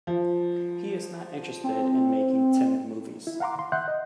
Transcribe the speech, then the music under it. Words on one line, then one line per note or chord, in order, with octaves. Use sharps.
He is not interested in making timid movies.
F3
C4
E4
F5 F#5 A#5 C6 D6
C6
E5 F#5 C6 F#6 G6
D#5